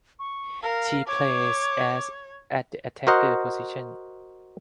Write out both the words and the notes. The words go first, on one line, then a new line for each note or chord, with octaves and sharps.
She plays as at the attacker position.
C#6
A#4 F5
C#5 D6
F#4 A#4 C5 D#5 F#5